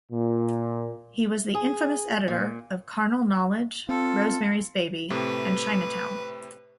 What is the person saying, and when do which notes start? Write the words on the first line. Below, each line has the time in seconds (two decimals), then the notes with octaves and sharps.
He was the infamous editor of "Carnal Knowledge," "Rosemary's Baby", and "Chinatown".
0.12 A#2
1.54 G#4
2.28 A#2
3.89 C4 F4 A4
5.10 A2 C3 A3 B4